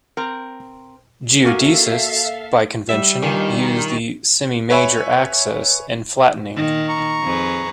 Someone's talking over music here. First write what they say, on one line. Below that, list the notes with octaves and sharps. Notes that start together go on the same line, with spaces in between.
Geodesists, by convention, use the semimajor axis and flattening.
C4 A#4 A#5
A#3 F#4 A4 A#4 E5 F5 G#5
G3 E5
G2 A#2 D#3
B4 C#5 E5 G#5 B5
A#2 D#3
A#5 C#6
F2 G#4 B4